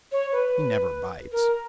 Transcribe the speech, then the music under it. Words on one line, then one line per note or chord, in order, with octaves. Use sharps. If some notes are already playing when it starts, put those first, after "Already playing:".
"He never bites."
C#5
B4
A#4